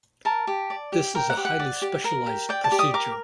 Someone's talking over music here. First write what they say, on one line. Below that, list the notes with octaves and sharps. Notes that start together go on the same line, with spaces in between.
This is a highly specialized procedure.
A#4 A5
G4
D5
G4
A#4 G5
F#5
G4
F#5
D5
G4
A#4
G4
D5 G5
A5
G4
D#6
A#4 D6